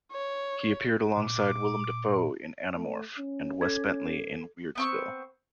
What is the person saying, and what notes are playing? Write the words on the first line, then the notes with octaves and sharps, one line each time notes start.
He appeared alongside Willem Dafoe in Anamorph and Wes Bentley in "Weirdsville".
C#5
A#2 D6
A3
C#4
A4 G#6
B3 C4 C#6